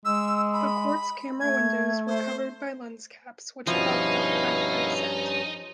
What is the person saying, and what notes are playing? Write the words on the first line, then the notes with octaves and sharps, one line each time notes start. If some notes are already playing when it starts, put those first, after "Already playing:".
The quartz camera windows were covered by lens caps which popped off after descent.
G#3 E6
B5
A3 G#6
C5
G2 B2 F3 C#4 D#4 E4 F5 A5